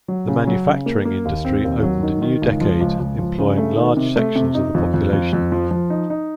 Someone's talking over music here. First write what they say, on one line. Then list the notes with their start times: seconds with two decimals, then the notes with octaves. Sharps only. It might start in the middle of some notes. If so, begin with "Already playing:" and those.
The manufacturing industry opened a new decade employing large sections of the population.
0.08 F#3
0.28 C#3
0.47 F#3
0.67 C#3
0.86 A#3
1.05 A#3
1.25 D#2
1.45 C4
1.64 D#2
1.83 F#3
2.03 D#3
2.22 D#3
2.42 C#2
2.61 F3
2.80 C#2
2.99 C#2
3.19 F3
3.38 C#3
3.58 A3
3.77 D#3
3.97 C3
4.16 A3
4.35 C3
4.54 D#4
4.75 F2
4.94 F2
5.13 F2
5.33 F2
5.52 F3
5.71 F3
5.90 D#4
6.10 D#4